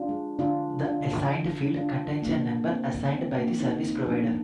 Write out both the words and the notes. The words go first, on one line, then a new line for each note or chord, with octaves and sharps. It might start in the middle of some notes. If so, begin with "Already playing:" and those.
The Assigned field contains a number assigned by the service provider.
Already playing: D4 F4
G#3
D3 D4 F4
G#3
D4 F4
D3
D3
G#3
D4 F4
D3
G#3 A#3 D4
G#3 A#3
C4
D3
G#3 C4
A#3 D4
D3
C4 D#4
D3
C4 D#4
D#4
F3 A#3 D4